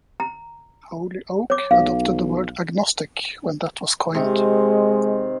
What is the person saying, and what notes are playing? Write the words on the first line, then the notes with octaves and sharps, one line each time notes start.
Holyoake adopted the word "agnostic" when that was coined.
A#5
C#5 D6
B1 F5
C3 D#3 G#3